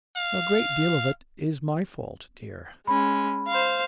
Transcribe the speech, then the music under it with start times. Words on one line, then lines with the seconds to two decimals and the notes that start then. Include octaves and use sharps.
'A great deal of it is my fault, dear.
0.17 F5
2.87 G#3 C#4 B5
3.48 C5 F5